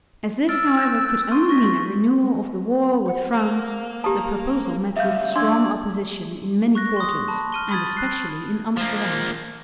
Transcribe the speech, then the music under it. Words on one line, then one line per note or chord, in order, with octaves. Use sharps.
As this, however, could only mean a renewal of the war with France, the proposal met with strong opposition in many quarters, and especially in Amsterdam.
E6 F6 A6 D7
F#6 G6
C6 C#6 G6 D#7
C#6 A#6 B6
C5 F#5
A#3
G4 A5 A#5 D#6
D2 G2 E5 F5 G6
D4 D5 C6 E6 G#6
C#6 F#6 A#6
C6 D#6
A5 B5
F6 D#7 G7
B5 D#6 G#6 A6
F#6 C7
F3 A#3